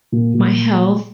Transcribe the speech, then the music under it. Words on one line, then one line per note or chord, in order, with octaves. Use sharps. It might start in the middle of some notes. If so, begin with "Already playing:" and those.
my health
A#2
A#2